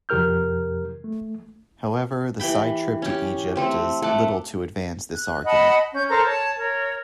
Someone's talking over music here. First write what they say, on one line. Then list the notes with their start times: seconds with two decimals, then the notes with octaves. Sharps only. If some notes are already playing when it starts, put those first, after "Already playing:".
However, the side trip to Egypt does little to advance this argument.
0.09 F2 C3 G4 A#4 F6 G6
1.04 A3
2.40 E3 G4 G5 B5
3.02 C#4 G4
3.56 A3 C4 G4
4.02 A3 F#5 D6
5.11 F#6
5.45 D#5 F#5 A5 B5
5.93 C#4 G6
6.09 A4 A#4 C5 A#5
6.25 C#5 A5
6.57 A#4 C#5